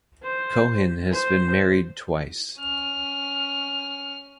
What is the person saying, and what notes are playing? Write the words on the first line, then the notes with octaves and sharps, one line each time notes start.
Cohen has been married twice.
C5
C5
C#4 F6